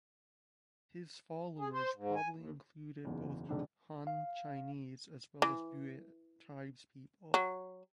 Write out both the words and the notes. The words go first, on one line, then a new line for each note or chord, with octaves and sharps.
His followers probably included both Han Chinese as well as Yue tribespeople.
G#4
C5
G#2
G#5
D#2
F#1 B1 E2
E1 A#1 D3 C4 D4 D#4
F5
E3
F#3